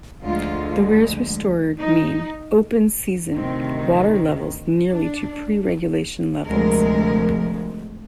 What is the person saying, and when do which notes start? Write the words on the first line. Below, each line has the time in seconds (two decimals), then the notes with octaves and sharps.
The weirs restored mean open-season water levels nearly to pre-regulation levels.
0.23 D2 D3 F3 G#3 F4
1.79 D#4
3.35 D2 C3 D#3 C4
4.91 D4
6.46 D2 C3 F3 G#3 A#4